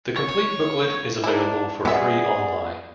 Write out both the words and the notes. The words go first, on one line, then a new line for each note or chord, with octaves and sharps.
The complete booklet is available for free on-line.
C#5
D4 E4 A#4 A5
F#3 B3 G#4 D5 E5